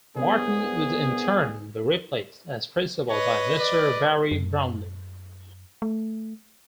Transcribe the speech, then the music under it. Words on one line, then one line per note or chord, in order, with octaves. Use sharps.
Martin would in turn be replaced as principal by Mr. Barry Brownlee.
C2 G2 B3 G#4
B4 C#5 D#5
D5
F#2
A3